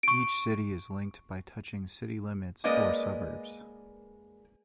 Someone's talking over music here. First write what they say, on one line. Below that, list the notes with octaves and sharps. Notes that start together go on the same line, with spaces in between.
Each city is linked by touching city limits or suburbs.
C#6 D7
G#3 A#3 A#4 B4 D5 D#5